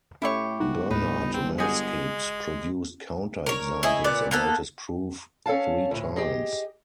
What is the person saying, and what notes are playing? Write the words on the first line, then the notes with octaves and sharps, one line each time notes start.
Bernard Maskit produced counter examples about his proof three times.
A2 C#4 E4 G4 A4 C#5 C#6
G1 D#4 F#4
D#2 A2 D#4 B4
C4
G#3 F#4 G#4 G#5 D6 G6 A#6
A#4 C#5
E4 G#4 C#5 D#5
A#2 B3 D5
A#3 B3 A4
C#4 A4 C#5 F5 A5
D2 A2
G4 G#4 D#5